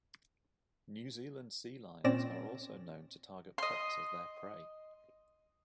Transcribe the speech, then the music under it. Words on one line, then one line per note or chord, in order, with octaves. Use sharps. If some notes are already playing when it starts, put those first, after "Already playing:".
New Zealand sea lions are also known to target pups as their prey.
A#2 C4 C#4 D5 A#6 E7
D#5 C6